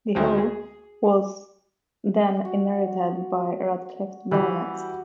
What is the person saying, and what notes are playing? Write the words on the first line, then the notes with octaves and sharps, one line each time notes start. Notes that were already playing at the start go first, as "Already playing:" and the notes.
The hall was then inherited by the Radcliffe Baronets.
D2 D#3 C4
G#4
F#4
E3 G3 F#4 G4